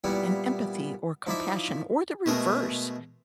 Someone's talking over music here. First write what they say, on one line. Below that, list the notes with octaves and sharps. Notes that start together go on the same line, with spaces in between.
an empathy or compassion, or the reverse,
A#2 G3 B3 E4
F3 D#4 E4 D5 E5
B2 G#3 A3 A#4